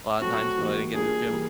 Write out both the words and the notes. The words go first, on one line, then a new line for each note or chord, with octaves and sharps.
A lotta times when I didn't get in the gym.
F#3 A3 C4 F#4
E3 G3 A#3 D#4
G3 A#3 D4 F4 G#4 A#4
E3 G3 A#3